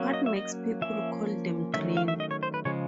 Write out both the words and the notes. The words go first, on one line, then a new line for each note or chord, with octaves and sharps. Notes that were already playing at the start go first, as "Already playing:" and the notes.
What makes people call them green?
Already playing: F#3 A#3 C#4
D#5
E5
D#5
F3 A#3 C#4 E5
D#3 F#3 A3 C#4 E5
F5
E5
D#5
C#5
C5
B4
C#3 F3 G#3 C#5